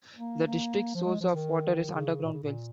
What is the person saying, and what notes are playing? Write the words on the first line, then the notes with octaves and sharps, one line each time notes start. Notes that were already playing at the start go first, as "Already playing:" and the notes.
The district's source of water is underground wells.
A#3
A#3
F3
G#3
F3
D#3
C#3
A#2
C#3
A#2